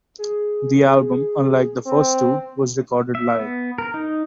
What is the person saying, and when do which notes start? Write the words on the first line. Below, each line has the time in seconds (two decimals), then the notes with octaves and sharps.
The album, unlike the first two, was recorded live.
0.19 G#4
1.86 C4
3.15 E5
3.39 B3
3.78 A#4
3.94 D#4